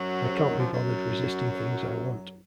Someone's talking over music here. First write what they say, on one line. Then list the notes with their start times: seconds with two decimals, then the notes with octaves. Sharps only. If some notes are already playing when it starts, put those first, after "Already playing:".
I can't be bothered resisting things I want.
Already playing: F#2 F#3
0.23 C3
0.34 C#3
0.48 D#3
0.60 F3
0.73 F#2 F#3